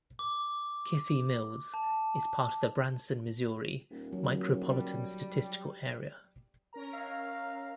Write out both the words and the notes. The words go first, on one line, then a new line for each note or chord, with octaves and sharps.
Kissee Mills is part of the Branson, Missouri Micropolitan Statistical Area.
D6
A5
D#1
F#3
G3
C#4 A#4 A#5
F5